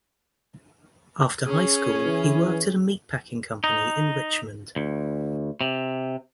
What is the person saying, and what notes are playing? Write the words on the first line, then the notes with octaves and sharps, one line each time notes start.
After high school, he worked at a meat packing company in Richmond.
C#4 G#4
E3
D#4
D2
C3